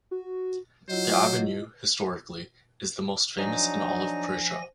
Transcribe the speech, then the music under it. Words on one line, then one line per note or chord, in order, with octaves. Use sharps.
The avenue, historically, is the most famous in all of Persia.
F#4
F#3 E4 F4 C5 D#5
F3 F#3 D4 D#4 G#5 A#6